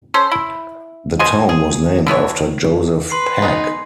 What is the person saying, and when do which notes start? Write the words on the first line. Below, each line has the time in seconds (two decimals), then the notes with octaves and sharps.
The town was named after Joseph Pack.
0.14 C#4 A4 C5
0.32 E4
1.19 B2 C5 D#5 G#5
1.49 G#4
2.07 D3 E3 B3 C#5
3.10 B4 C6 C7
3.42 G#3 B3 D#4 G#4